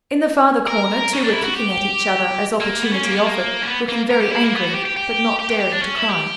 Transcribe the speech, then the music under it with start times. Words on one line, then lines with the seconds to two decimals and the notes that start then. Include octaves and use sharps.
In the farther corner two were kicking at each other as opportunity offered, looking very angry, but not daring to cry.
0.67 A#4
1.13 C#4
1.23 D4
1.33 E4
1.43 F#4
1.53 G4
2.60 A#3
2.82 B3
2.92 C#4
3.03 A#3
3.14 B3
3.25 A#3
3.62 C#4
3.67 B3
3.89 A#3
4.10 A#4
4.21 G4
4.32 E4
4.43 A#3
4.53 B3
4.64 F#4
4.74 G4
4.85 G4
4.96 G4
5.39 G4
5.50 G4
5.60 G4
5.71 D4
5.82 C#4
5.96 E4
6.11 G4